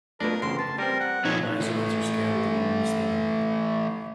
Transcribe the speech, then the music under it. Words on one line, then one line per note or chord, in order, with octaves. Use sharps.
Rhizoids are scattered along the stem.
B2 A3 D4 F4 A#4 B4
G#1 C#3 E3 C6
B4 A5
G3 C4 A#4
F#5
A#2 F3 D#4 C#5
E3 A3